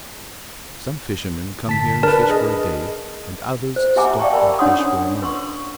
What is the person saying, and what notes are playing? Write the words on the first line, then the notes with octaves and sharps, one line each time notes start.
Some fishermen come here and fish for a day, and others stop and fish for a month.
G1 A5 B6
D4 A#4 B4 A5
G#4 D#5
C5
G4 E5 F#5 G#5 A#5 D6
D5 F5 G5 A5 C#6
A#4 A#5 B5
C#4 D4 C#5 F#5 C6 D#6
B4 C6 C#6